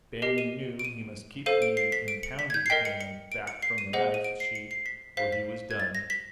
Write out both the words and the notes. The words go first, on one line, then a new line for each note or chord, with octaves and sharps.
Banion knew he must keep the impounded hand back from the knife sheath or he was done.
G4 A#4 D#5 C7
D#7
D7
D#7
A4 C5 F5 D#7
D7
C7
B6
D7
C#7
B6
G#6
G6
C7
A#4 D#5 G5 B6
C#7
C#7
D7
C#7
C7
D#7
G#4 C5 D#5 F#5
D#7
D7
C7
C#7
C7
B6
C5 F5 B6
B6
G#6
A6
A#6
B6